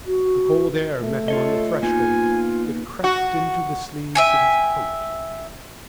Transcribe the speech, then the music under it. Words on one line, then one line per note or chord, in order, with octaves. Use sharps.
The cold air met him on the threshold; it crept into the sleeves of his coat.
F#4
A3
F4 A4 C#5 D#5
A#3 B3 D#4 F4 G#5
F#4
E5 G5 G#5